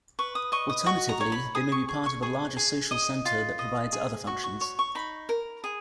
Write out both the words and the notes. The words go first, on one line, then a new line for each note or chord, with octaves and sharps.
Alternatively, they may be part of a larger social center that provides other functions.
B4 C#6
D#6
D#5 C#6
D#6
F#4 C#6
A#5
C#5 C#6
B5
G#4 D#6
C#6
G#4 C#6
C#6
G#4 C#6
G#4
D#5 D#6
F4
D#5
G#4
F#4 C#6
C#6
C#5 C#6
C#6
D#4 B5
A#4
G#4